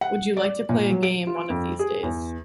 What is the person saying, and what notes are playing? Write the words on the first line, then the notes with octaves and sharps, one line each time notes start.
Would you like to play a game one of these days?
F#5
D5
A#2
F#3
D7
F4
F2
G#4
E2